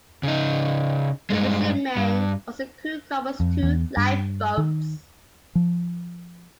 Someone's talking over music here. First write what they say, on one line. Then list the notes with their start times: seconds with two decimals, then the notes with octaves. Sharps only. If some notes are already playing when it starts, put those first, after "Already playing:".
The fishermen also crewed Cromer's two lifeboats.
0.23 C#3 D#4
1.30 G2 G#3
1.97 G2
3.40 F2
3.63 E2
3.97 G2
4.58 D#3
5.55 F3